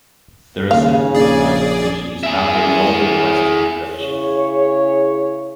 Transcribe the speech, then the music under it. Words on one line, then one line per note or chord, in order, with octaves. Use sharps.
There are seven described species found in northern and western Eurasia.
D#2 C#3 F5
A#1 G#4 D5
E4 G#4
C#3 E4 G#4 C#5